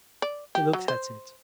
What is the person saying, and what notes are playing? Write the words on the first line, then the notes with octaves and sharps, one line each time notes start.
He looked at it.
D5
G4
F#3
C5